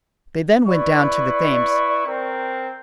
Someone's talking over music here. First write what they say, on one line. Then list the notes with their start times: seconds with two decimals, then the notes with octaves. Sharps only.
They then went down to the Thames.
0.67 E4 B4 D5 C#6
2.07 C4 A#4